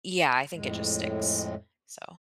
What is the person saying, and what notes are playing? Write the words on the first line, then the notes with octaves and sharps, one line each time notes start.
Yeah, I think it just sticks, so
F2 A2 G#3